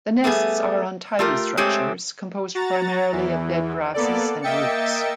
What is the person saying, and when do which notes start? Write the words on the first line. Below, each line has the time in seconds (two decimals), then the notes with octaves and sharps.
The nests are untidy structures composed primarily of dead grasses and roots.
0.24 G3 A3 B3 G#4
1.19 A3 F4 G4 A#4
1.57 G#3 A3 C4 G4 C#5
2.55 F#4 A#5 A6
3.12 E2 E3
3.94 A#3 B3 A4 D5
4.42 A#3 D#5 E5 G5 A6 C#7